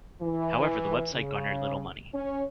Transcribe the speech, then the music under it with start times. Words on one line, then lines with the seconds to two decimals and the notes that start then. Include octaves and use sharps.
However, the website garnered little money.
0.21 E3
1.14 C#3
2.13 C#4